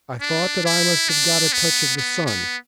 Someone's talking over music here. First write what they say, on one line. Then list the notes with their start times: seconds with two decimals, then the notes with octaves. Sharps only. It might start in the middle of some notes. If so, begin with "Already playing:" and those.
I thought that I must have got a touch of the sun.
0.21 D4
0.66 E4
1.09 D4
1.53 B3
1.97 B3
2.26 B3